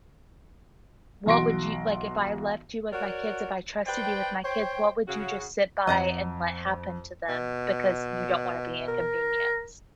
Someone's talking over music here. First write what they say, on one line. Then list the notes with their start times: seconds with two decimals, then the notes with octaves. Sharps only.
what would you like, if I left you with my kids, if I trusted you with my kids, what would you just sit by, and let happen to them because you don't want to be inconvenienced?
1.26 B1 E3 F#4 C6 A#6 D7
2.92 F#4 A#4 C#5 D5 F#5
3.86 B4 C5 D5 G5
4.44 C5 C#5 G5
5.07 C#3 F#4
5.87 F2 D#5 F#5 A#5
7.29 B2
8.88 A#4